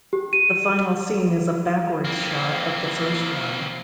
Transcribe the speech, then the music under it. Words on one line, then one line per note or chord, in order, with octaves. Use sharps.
The final scene is a backwards shot of the first one.
G4
D#7
A#3 C4